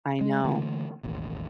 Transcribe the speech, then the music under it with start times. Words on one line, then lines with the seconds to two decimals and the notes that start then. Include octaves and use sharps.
I know.
0.21 G#3
0.44 D3 E3 A3 A#3
1.03 E1 A1 D#2